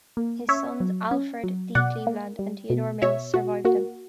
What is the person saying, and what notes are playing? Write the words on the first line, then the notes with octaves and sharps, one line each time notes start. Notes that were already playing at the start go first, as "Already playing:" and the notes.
His sons Alfred D Cleveland and Theodore Mills survive him.
A#3
C#4 C#5 E5
F#3
C#4
F#3
B2 D5 F#5
A#3
G3
B2
B2 C#5 E5
B2 F#4
A#3 F#4